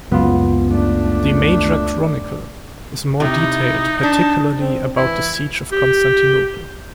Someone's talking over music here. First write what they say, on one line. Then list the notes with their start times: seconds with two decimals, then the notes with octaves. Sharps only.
The "Major Chronicle" is more detailed particularly about the siege of Constantinople.
0.12 F#1 C#2 F#2 B3 F4
0.69 A3 D4
3.20 C3 D#4 E4
4.03 D4 A5
4.58 C4
4.97 E3 E4
5.72 G4